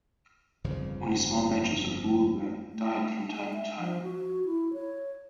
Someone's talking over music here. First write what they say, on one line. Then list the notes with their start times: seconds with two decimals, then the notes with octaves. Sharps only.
Only small batches of wool were dyed from time to time.
0.64 G1 F2 C#3 F3
2.73 A3
3.30 G#3
3.53 E5
3.78 F3
4.03 F#4
4.45 E4
4.73 C#5